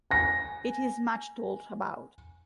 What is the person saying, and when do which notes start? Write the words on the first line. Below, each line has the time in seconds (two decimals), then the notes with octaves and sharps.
It is much talked about.
0.11 G#5 A#6